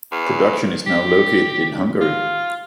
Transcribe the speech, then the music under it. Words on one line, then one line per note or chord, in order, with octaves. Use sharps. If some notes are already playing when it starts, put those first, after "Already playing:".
Production is now located in Hungary.
E2
G4
F4